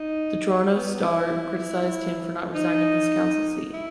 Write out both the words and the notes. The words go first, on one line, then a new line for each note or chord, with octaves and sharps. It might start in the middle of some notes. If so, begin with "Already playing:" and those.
The "Toronto Star" criticized him for not resigning his council seat.
Already playing: D#4
B3
E4
D#4
E4